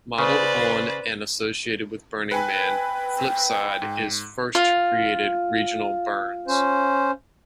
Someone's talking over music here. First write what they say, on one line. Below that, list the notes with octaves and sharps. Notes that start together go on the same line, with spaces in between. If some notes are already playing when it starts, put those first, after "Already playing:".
Modeled on and associated with Burning Man, Flipside is First created Regional Burns.
C#3 B4 C5 D5
B4 G5 G#5 B5
G#2
F4
C#4 C5